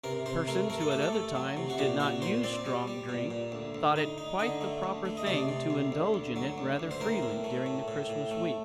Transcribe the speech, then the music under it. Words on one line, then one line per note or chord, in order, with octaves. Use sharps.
Persons who at other times did not use strong drink thought it quite the proper thing to indulge in it rather freely during the Christmas week.
C3 A#4
C3 C5
A3 A#4
A3 A#4
A4
A3 G4
A4
A3
F#3
C3
F#4
A#2 G4
A#2 F#4
A#2 C5
C4 D5
G3
G3
A#2
A#2
D2
D2
D#4
D#4
D3 D#5
A3
D2
A3
D#5
C3 D5
C3
D2
D2
D2
F#3
D2
D2
C5
A2 A#4
A2
A3
A2
A2
A2
A3